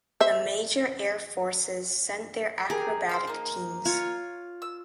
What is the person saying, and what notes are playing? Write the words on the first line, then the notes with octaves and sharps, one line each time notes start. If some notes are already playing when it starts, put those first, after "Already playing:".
The major Air Forces sent their acrobatic teams.
C5 E5
G4 G#4 A#4
C5 E6 F6
A#3 D#4
F4 C#5
E6